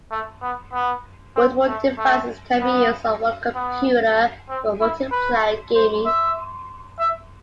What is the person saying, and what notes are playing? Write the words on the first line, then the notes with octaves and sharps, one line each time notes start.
Multiple devices can be used on one computer for multiplayer gaming.
A3
B3
B3
C4
A3
A3
B3
B3
C4
E4
B4
C5
E5
E5